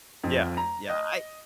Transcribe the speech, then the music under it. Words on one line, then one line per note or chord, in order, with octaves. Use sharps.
Yeah, yeah, I
F2
A#5
D#5